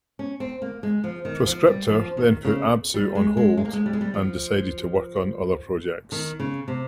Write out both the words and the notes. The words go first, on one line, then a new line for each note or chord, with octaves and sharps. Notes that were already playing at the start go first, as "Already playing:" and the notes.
Proscriptor then put Absu on hold and decided to work on other projects.
C#4
C4
A#3
G#3
F3
D#3
F3
G3
F3
D#3
C#3
G3
G#3
G#3
G#3
A#3
G#3
G3
G#3
G3
F3
D#3
C#3
C3